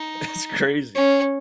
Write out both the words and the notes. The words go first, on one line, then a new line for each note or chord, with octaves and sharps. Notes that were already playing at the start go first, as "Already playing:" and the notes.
That's crazy.
Already playing: D#4
C#4